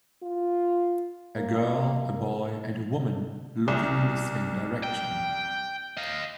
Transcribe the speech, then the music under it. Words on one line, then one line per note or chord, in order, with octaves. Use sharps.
A girl, a boy, and a woman looking in the same direction.
F4
A#3
C2
G5
D#5 F5